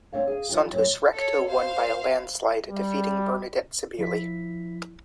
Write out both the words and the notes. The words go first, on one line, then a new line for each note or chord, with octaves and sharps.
Santos-Recto won by a landslide, defeating Bernadette Sabili.
C4 D4 C#5 F5
G#4 F5
E3 F3 D4 F4 G4
F#2 A#2 F#3
A4 C#5
C5 F5
G3
F3 E4 B6